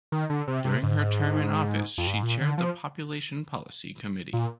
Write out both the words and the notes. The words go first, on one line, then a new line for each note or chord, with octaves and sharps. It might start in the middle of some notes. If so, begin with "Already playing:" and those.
During her term in office she chaired the Population Policy Committee.
D#3
D3
C3
C3
G#2
F2
G2
G#2
A#2
D3
F3
A#2